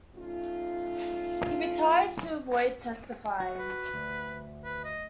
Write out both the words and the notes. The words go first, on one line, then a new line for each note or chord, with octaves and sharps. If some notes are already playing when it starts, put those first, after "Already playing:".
He retired to avoid testifying.
A3 C#4 D#4 F4
F#4
B4
D2
B4
D#5